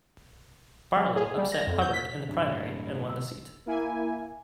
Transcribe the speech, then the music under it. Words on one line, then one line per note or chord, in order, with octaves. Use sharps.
Barlow upset Hubbard in the primary and won the seat.
F#3
G#4
G3
A#6
F2
G6
B6
D1 G2
E6
A#3 E4 G#5